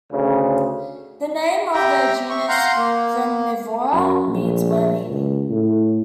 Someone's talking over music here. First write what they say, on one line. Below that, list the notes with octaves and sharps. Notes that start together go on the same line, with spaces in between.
The name of the genus "Vermivora" means "worm-eating".
D2 C#3
G4 E5 G5 A#5
E5 C#6
F5 F#5 A#5 C6 G6
A#3
F#2
A#1
C#2
A2